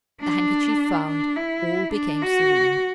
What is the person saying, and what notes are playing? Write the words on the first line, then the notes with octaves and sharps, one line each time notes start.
The handkerchief found, all became serene.
D4
D4
E4
D4
F#4